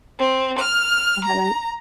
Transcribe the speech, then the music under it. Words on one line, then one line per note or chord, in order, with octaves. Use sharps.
I haven't.
C4
F6
A#5